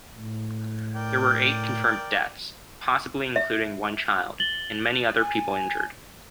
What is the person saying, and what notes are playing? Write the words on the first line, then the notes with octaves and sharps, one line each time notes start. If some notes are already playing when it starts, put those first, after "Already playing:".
There were eight confirmed deaths, possibly including one child, and many other people injured.
A2
A#4 D5 G5
E5
A6 F#7 G7
G#5